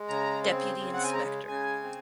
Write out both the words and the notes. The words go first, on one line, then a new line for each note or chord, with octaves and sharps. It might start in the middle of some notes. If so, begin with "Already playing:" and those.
Deputy Inspector.
Already playing: G#3
C#3 A#5
C4
C#3
F#5
G#5
G#3 A#5
C#3 G#5
C4